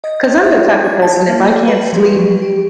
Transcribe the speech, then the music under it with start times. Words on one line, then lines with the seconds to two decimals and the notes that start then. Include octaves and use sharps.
'cause I'm the type of person, if I can't sleep
0.04 D#5
0.44 E5
0.84 G#6
1.02 A5
1.28 A#3
1.67 B4
1.93 F3
2.17 F#3
2.42 G4